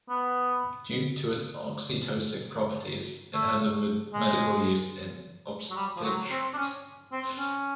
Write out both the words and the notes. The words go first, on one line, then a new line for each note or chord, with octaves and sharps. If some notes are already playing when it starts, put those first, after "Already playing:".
Due to its oxytocic properties, it has a medical use in obstetrics.
B3
A3
G#3
F#3
G3
F3
F#3
C4
D4
C#4
C4
C#4